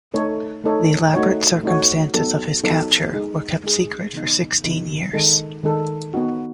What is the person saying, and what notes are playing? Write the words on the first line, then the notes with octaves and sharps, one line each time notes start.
The elaborate circumstances of his capture were kept secret for sixteen years.
A3 D#4 A4 C#5
A3 D#4 A4 C#5
A3 D#4 F#4 C#5
A3 D#4 F#4 C#5
F#3 B3 D#4 A4
F#3 B3 D#4 A4
G#3 D#4 G#4
G#3 D#4 G#4
C#3 E3 B3 D#4
C#3 E3 B3 D#4
D#3 G#3 D#4 A4
D#3 G#3 D#4 A4
B3 D#4 F#4